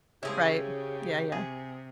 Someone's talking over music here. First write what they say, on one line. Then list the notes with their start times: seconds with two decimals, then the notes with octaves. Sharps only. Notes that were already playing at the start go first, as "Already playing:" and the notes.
Right. Yeah, yeah,
0.23 C#3 F3 C#4 E4 G4 G#4
1.32 C3 G#4